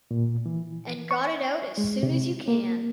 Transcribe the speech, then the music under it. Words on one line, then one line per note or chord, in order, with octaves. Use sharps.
And got it out as soon as you can.
A#2
E3
C#6
G#3
C3
A#3